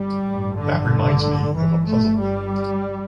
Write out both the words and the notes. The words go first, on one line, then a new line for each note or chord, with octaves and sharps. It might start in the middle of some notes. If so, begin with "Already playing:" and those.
That reminds me of a puzzle.
Already playing: G1 G3
A1 G2
D3
G1 G2 E3
A3
G3